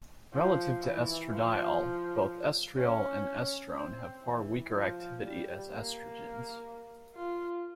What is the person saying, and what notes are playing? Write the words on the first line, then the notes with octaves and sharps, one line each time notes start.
Relative to estradiol, both estriol and estrone have far weaker activity as estrogens.
F3
E3
F3
C#4
C4
E3
F3
G3
A#3
F4